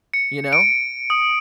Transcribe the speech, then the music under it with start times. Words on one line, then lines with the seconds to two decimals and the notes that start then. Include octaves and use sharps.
You know?
0.14 C#7
0.53 D7
1.10 D#6